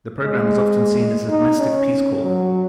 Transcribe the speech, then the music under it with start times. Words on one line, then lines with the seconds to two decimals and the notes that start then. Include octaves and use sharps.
The program is often seen as a domestic Peace Corps.
0.24 G#3
1.30 D#4
1.59 C#4
2.23 F#3